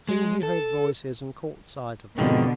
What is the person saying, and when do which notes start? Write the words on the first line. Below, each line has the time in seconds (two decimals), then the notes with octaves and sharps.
Soon he heard voices and caught sight of them.
0.09 G#3
0.43 A4
2.18 F2 G#2 B2 D3 D#3